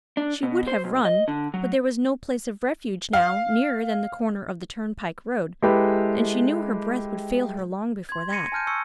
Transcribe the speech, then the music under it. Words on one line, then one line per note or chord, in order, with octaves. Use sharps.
She would have run, but there was no place of refuge now nearer than the corner of the turnpike-road, and she knew her breath would fail her long before that.
D4
B2
C5
B1
D#5
D3
F#3
F5
G#3 E4 G4 A4 B4
C6 G#6
G#6 A#6 C#7 D#7
G#5 A5 F6 G6 D#7
C#6 E6 C#7